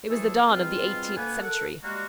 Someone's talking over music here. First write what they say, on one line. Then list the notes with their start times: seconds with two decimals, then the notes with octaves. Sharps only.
It was the dawn of the eighteenth century.
0.10 D#2 E3 F3 A3 G#4 A4
0.47 G#2 B2 G3 C4 F4
1.16 D2 A#3 B3 G#5
1.40 A4 A#4 F#5
1.83 G3 G#3 A#3 F#4